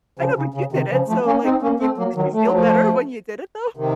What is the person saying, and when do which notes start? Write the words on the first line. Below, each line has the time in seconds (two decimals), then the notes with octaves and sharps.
I know, but you did it, so, like, you did you feel better when you did it, though?
0.19 C#3 F3
0.36 C#3
0.54 C#3
0.72 C3 D#3
0.91 C#3 F3
1.08 F3 A3
1.26 A#3 C#4
1.44 C4 D#4
1.62 A#3 C#4
1.80 A3 C4
1.98 F#3 A#3
2.16 D#3 F#3
2.33 A3
2.43 F#3
2.53 F3 A3
3.77 C3 D#3